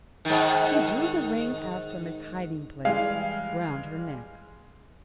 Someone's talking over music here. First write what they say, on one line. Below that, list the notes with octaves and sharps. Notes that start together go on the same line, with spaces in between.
She drew the ring out from its hiding-place round her neck.
G#2 D#3
E3 G3 G#3 F5